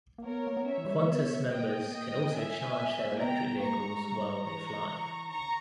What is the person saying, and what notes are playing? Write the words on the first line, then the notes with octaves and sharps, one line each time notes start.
Qantas members can also charge their electric vehicles while they fly.
A#3
B3 A#4 C#5
A#3
B3
C#4 C#5 E5
E3
G3
G#3
A#3
B3
A#3 D#5 G5
B3
A#3 D#5 G5
B3
C#4 E5 G#5
B3
A#3
B3 G5 A#5
A#3 A#5 C#6
G3
G#3
G3
E3 A#5 C#6
D#3 A#5 C#6
C#3